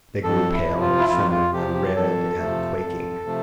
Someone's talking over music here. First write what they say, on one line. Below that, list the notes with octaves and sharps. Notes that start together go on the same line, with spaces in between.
They grew pale and firm, and red and quaking.
F2 A4
E4
C3 F3
F4
E4
F2 F4
F4
C3 F3 G4
G4
F2 A4
C3 F3 A3
F2
C3 F3 A3